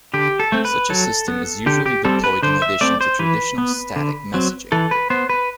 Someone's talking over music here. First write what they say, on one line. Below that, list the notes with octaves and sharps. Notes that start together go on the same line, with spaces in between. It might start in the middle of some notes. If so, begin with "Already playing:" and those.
Such a system is usually deployed in addition to traditional static messaging.
D3 G4
A4
A3 C4
B4
F#3 A4
B3
D3 G4
G4
G3 C4 A4
B4
D3 C5
E5
A3 C4 D5
C5
E3 B4
B3
D3
F#3 C4
E3 A4
B4
B3 C5
B4